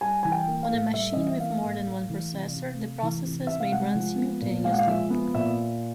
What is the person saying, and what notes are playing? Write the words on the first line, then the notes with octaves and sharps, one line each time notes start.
On a machine with more than one processor, the processes may run simultaneously.
G3 G#5
E3 G#5
G5
A#3
F5
A2
G3 E5
E3 D#5
E5
A#3 F5
A2
A3
E3
C3
C3
A3
E3
C3
C3 E5
F5
G#3 F#5
F3
B3
A#2
G#3 F5
F#5
F5
F3 E5
B3
A#2 E5